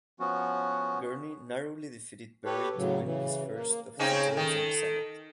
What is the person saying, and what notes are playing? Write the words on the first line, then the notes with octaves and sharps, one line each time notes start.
Gurney narrowly defeated Berry to win his first of two terms in the Senate.
F3 B3 C#4 F#4
G4 A4 B4 C#5
A2 C#3 F#3
C#3 E3
A#3
C#3 C4 C#4 D#4
D#3 A4